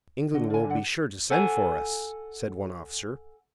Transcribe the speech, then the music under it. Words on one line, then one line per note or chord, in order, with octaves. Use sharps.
"England will be sure to send for us," said one officer.
D3 F#4 D#5 F#5
F4 G#5
D4 F#5
A4 F#5 G#5